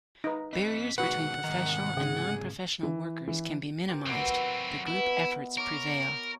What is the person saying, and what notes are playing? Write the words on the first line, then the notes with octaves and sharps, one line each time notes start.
Barriers between professional and non-professional workers can be minimised, the group efforts prevail.
D#4 B4
C4 D#5 B6
B2 D#3 G#3 F#4 B4 F#5
G#2 C3 D#3 A#5
C#3 G#4
E3
E3
G4 A#4 C5
F#3 C4 E4 F#4 B4
B2 E4 B5
A#4 C#5 C#6 D6